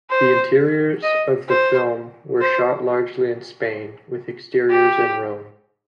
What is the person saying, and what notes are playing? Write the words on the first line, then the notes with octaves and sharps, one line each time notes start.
The interiors of the film were shot largely in Spain, with exteriors in Rome.
C5
D#5
C5
C5
G4